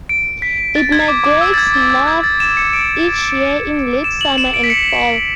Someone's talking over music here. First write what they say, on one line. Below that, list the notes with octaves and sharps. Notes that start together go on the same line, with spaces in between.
It migrates north each year in late summer and fall.
D7
B6
A6
G#6
D6
D6
E6
A6
G#6
A6
G#6
G#6
A6
E7
C#7
D7
E7
F#7
E7
D7
B6
C#7